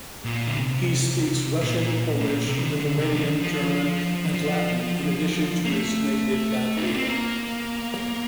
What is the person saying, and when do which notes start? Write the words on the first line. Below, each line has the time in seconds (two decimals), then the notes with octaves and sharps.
He speaks Russian, Polish, Lithuanian, German and Latin in addition to his native Latvian.
0.25 A#2
0.47 D3
0.58 C3
1.61 A#2
2.20 A2
2.29 A#2
2.46 C3
2.58 F3
2.64 D#3
2.80 D3
2.98 C3
3.13 F3
3.21 D#3
3.43 F3
4.25 D#3
4.34 F3
5.65 A#3
5.70 A3
6.77 D#4
6.87 D4
6.97 C4
7.07 A#3